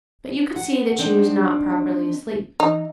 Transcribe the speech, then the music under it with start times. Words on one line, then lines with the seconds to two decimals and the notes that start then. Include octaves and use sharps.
But you could see that she was not properly asleep....
0.56 F#5
0.99 C4 D4 D#4
2.60 E3 D#4